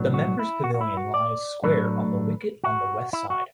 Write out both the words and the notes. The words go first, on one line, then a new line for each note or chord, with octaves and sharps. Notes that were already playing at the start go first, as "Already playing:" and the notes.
The members pavilion lies square of the wicket on the west side.
Already playing: B1 A2 F#3 B3 D4
F#4
E4
F#4
F#4
E4
F#4
D5
A2 F#3 A3 D4 B4
F#4
E4
F#4